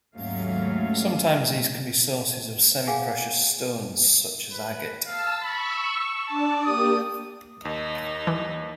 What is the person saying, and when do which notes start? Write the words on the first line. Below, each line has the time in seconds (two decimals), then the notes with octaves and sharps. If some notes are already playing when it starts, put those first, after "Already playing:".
Sometimes these can be sources of semi-precious stones such as agate.
0.16 D#2 G#2 F#3 A3 C#4 F5
2.88 G#4 F5 F#5 G#5
4.52 B4
5.06 F5 A5 E6
5.42 B5 C#6 E6
6.28 D4 D5 A5
6.64 A#3 G4 D#6
7.65 D#2 D#4
8.27 E3